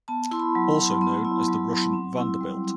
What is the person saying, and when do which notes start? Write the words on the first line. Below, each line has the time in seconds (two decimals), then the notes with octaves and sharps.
Also known as the Russian Vanderbilt.
0.08 B3 A5
0.31 E4 C6
0.40 B5
0.55 F#3
0.71 C6
0.77 F#3
1.01 B3 C6
1.25 E4
1.48 F#3
1.71 F#3
1.93 C4
2.17 E4
2.41 G3